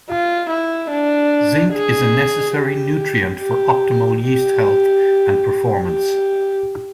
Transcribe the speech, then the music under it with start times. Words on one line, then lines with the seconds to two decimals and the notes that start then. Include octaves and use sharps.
Zinc is a necessary nutrient for optimal yeast health and performance.
0.09 F4
0.50 E4
0.90 D4
1.73 G#4
2.54 G4
3.37 G4
4.19 G4
5.82 G4